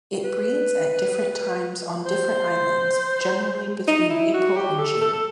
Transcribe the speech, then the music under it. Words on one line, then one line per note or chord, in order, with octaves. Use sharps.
It breeds at different times on different islands, generally between April and June.
B4
C5
D#4
E4
F#4
G4
A4
A4
A4